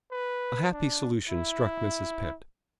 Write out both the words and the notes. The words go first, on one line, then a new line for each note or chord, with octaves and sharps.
A happy solution struck Mrs. Pett.
B4
D4
E4